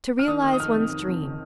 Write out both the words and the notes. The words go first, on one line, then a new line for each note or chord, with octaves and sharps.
To realize one's dream.
F6
D#3 D#6
D#3
D#6
F2 F6
C3
D#3
C3
D#3